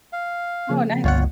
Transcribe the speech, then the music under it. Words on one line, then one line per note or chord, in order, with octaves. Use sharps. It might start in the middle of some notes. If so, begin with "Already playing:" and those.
Oh, nice.
F5
C#3 F3 A#3
G1 C#2 F4 C#5 F#5